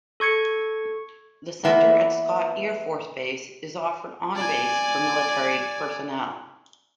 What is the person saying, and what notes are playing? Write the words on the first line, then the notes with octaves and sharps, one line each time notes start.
The Center at Scott Air Force Base is offered on-base for military personnel.
A4 C#6 G#6 C#7
E3 A#3 B3 E4 E5
D5 G#5